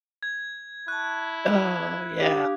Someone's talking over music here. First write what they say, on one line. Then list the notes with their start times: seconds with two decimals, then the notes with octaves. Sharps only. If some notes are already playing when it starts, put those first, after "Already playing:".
Oh, yeah.
0.23 G#6
0.88 E4 A5 C#6 F#6
2.20 D4 G4 F5 D#6